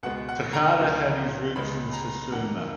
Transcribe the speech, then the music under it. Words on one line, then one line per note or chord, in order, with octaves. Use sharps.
Takada had his roots in Satsuma.
C#2 B2 G#3 B3 F#5
F#5
A#5
C#2 C#3 F3 B3
C#2 C#3 G#3 B3 B5
A#5
F2 D#3 A#3 F#5